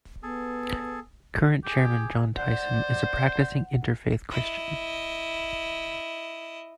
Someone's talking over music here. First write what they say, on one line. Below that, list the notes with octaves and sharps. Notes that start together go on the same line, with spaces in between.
Current chairman John Tyson is a practicing Interfaith Christian.
B3 G#4 A4
G4 G#4
C5 D5 F#5
E4 D#5